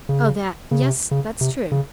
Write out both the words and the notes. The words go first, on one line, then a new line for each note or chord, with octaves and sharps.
"Oh, that,--yes, that's true."
C#3
C#3
C3
C#3
C3
C#3